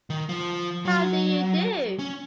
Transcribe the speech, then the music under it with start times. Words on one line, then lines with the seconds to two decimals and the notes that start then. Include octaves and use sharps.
How do you do!
0.10 D#3
0.29 F3
0.85 F#3
1.99 C#4